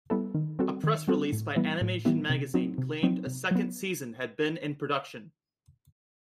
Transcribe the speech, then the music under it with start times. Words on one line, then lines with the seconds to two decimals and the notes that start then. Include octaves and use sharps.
A press release by Animation Magazine claimed a second season had been in production.
0.10 G3 B3 E4 A4
0.34 D#3
0.59 G3 C4 F#4 A4
0.84 D#3
1.08 G3 C4 F#4 A4
1.32 A2
1.56 E3 G3 B3 E4
1.81 A2
2.05 E3 G3 B3 E4
2.30 C3
2.54 F#3 C4 D#4
2.78 C3
3.03 F#3 C4 D#4
3.27 C3
3.51 F#3 B3